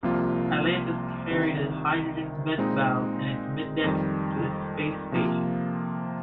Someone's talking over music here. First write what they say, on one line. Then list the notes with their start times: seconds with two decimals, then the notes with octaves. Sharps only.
Atlantis carried a Hydrogen Vent Valve in its mid-deck to the space station.
0.03 C2 C3 F3 A#3 F4
1.30 C2 C3 D#3
2.58 A#2 G#3 C4 D#4
3.84 F2 D#3 G3
5.12 C3 F3 A#3 F4